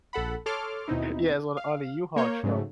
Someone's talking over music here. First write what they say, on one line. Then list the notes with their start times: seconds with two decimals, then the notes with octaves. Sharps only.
Yes, on on a U-Haul truck,
0.13 A#1 A4 F#5 B5
0.46 A4 C#5 A5 C6 D6 F6
0.88 D#2 B2 C4 D#4 E4
1.57 F5
2.16 A#3 A#4 C#5 G6
2.43 G#2 C#3 F#3 A3